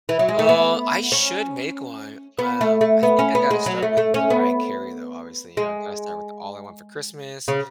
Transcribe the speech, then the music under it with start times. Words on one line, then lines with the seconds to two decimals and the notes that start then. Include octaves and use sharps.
Uh, I should make one. Um, I think I gotta start with Mariah Carey, though, obviously, you know, gotta start with All I Want for Christmas,
0.09 E3
0.19 F#3
0.29 G#3
0.39 A3
0.49 B3
1.12 C#4
2.39 B3
2.61 A3
2.81 A3
3.03 B3
3.19 C#4
3.35 B3
3.51 G#3
3.66 F#3
3.83 A3
3.97 A3
4.14 C#4
4.30 B3
5.57 G#3
7.48 C#3